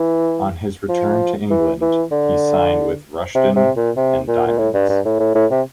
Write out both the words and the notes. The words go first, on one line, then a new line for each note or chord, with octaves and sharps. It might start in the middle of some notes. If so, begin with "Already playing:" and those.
On his return to England, he signed with Rushden and Diamonds.
Already playing: E3
F3
E3
E3
D3
C3
C3
A#2
C3
A#2
A#2
A2
G2
G2
A2
A2
A2
C3